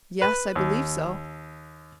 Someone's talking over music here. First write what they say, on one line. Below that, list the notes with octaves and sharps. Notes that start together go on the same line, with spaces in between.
"Yes; I believe so."
B4
D#2